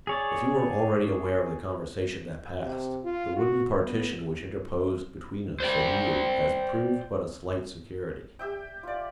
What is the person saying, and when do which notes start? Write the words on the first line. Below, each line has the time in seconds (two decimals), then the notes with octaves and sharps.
"If you are already aware of the conversation that passed, the wooden partition which interposed between us and you has proved but a slight security."
0.07 G#4 C#5 D5
2.63 C3
3.04 F4
3.36 F#4
3.76 B3
5.60 C5 D5 G5
8.39 G4 E5 G5
8.83 F4 D5